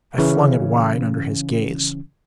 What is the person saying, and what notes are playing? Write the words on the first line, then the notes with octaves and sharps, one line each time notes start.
I flung it wide under his gaze.
C#3 E3 C#4